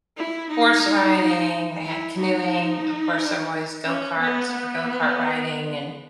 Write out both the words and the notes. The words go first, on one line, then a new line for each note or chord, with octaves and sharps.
horse riding, they had canoeing, of course, there were always go karts for go kart riding and,
E4
D#4
E4
D#4
C#4
B3
B3